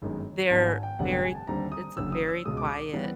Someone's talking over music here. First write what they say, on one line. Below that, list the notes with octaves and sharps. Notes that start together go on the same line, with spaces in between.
they're very it's a very quiet,
G1 F#2 D#3 G#3
G#1 G#2 D#3 F#3 B3 A5
G#5
G5
F1 F2 D3 G3 B3 F#5
G5
G#5
A5
D#2 D3 G3 C4 A#5
D#6
F#1 F#2 D3 E6
D#6
E6
C#2 B2 G#3 D#6
D6
D6
E3 G3 B3